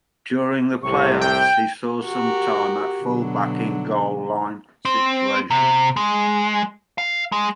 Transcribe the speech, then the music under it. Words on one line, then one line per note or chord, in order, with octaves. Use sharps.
During the playoffs, he saw some time at fullback in goal line situations.
C2 A2 C3 C#6
G5 G6
F#4 G4 A#4
B2 D3 F#3
C4
C3
G#3
F5
G#3